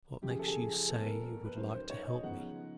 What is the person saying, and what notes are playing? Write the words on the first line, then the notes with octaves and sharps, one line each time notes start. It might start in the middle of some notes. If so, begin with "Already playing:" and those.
What makes you say you would like to help me?
F#2 C#3 F3 G4
G#4
A4
G#4
G#4
A#2 G3 B3 A4
A#4
A#4
B4
F#2 D#3 G3 C5
C5
C#5
D#5
C#3 F3 G#3 B3 D#4 F#5